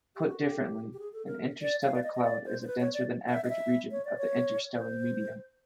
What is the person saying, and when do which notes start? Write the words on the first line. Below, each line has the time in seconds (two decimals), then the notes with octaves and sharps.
Put differently, an interstellar cloud is a denser-than-average region of the interstellar medium.
0.16 G4
0.28 F#4
0.40 G4
0.93 G4
0.99 G#4
1.13 A4
1.27 A#4
1.61 D5
1.82 F5
1.95 D5
2.03 D#5
2.14 D#5
2.24 D5
2.45 C5
2.62 C5
2.67 B4
2.80 C#5
2.94 D5
3.29 E5
3.44 D#5
3.50 E5
3.91 C#5
4.05 D5
4.18 C#5
4.75 C5